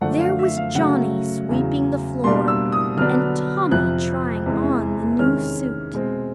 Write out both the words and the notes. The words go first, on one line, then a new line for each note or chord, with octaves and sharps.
There was Johnny sweeping the floor, and Tommy trying on the new suit.
F#2 D3 F3 A3 D4 F#5
F5
E5
F5
C#3 F#3 A3 F#5
E2 C#3 F#3
B2 G3 A#3 D4 C6
E6
D#6
D3 F#3 B3 D4 F6
F2 C3 F3 F#6
E2 C3 E3 G#3
C3 D#3 G#3 C#4 F6
B2 G#3 C4